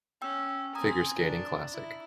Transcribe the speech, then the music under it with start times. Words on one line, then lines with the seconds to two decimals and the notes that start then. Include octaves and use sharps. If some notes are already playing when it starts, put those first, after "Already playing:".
Figure Skating Classic.
0.22 C#4 G5 E6
0.75 C4 G#5 A#5 D#6
1.17 D4
1.72 E4